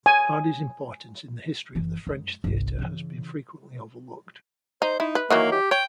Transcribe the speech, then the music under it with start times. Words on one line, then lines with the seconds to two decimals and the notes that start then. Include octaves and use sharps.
Hardy's importance in the history of the French theatre has been frequently overlooked.
0.06 G#5
1.75 F#1 E3
2.07 F#2 G#3
2.44 G1 C2
2.79 C#3 E3
4.82 D#4 C5
5.00 D#4 E4
5.15 B4
5.30 D#3 E3 F#3 A#3
5.52 G4
5.71 C#5 G5